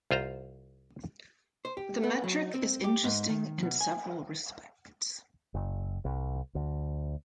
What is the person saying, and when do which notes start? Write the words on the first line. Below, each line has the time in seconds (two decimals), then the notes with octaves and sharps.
The metric is interesting in several respects.
0.11 C2 F4 C5 A#5
1.65 C5
1.77 G4
2.04 B3
2.24 F#3
2.54 C4
2.84 G4
3.04 G#2
3.29 D#3
3.63 B2
3.81 G#5
5.54 F#1
6.05 C2
6.55 D2